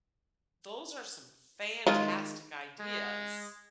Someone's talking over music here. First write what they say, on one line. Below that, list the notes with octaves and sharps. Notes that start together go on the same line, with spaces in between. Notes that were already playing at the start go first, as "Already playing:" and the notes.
those are some fantastic ideas,
D#3 G#3 F4
G#3